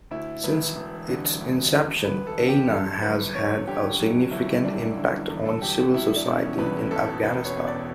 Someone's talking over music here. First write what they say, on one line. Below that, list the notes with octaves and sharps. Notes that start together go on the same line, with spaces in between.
Since its inception, Aina has had a significant impact on civil society in Afghanistan.
D2 E4
E1 B4
E1
D3
D2
E1
E1 B4
A4
D3
G4
F#2 A4
G1 B4
G1 C#5
D3 G4
F#2
G1 E4
G1 D4
D3 E4
E2
A4
E1 G4
F#4
E1 E4
D4
B2
C#4
E2 B4
E1 A4
E1 B4
C#5
B2
D5